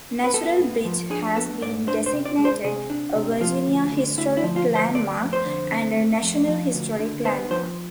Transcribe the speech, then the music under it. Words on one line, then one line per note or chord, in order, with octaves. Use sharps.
Natural Bridge has been designated a Virginia Historic Landmark and a National Historic Landmark.
B4
B3 A4
G#2
F3
D4 G#4
B3 A4
G#2 D5
D4 C5
C5
C3
D5
G#3
C5
C3 G#4
D4
C3
F3 F4
D2
D3
D2 E4
E4
F3
F4
D2
C5
A3 D5
F2
C5
D3
C4
A3
F2
F3
D2
D3
B3 C5
F3 C5